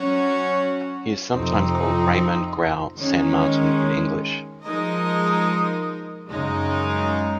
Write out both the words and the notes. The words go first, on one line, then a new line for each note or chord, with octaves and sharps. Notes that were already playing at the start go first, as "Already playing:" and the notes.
He is sometimes called Raymond Grau San Martin in English.
Already playing: F#3 C#4 F#4 C#5
F2 C3 F3 C4 D#4
D#3 G#3 C#4
F3 G#3 D#4 A#4 D#5
F#2 C#3 G#3 D#4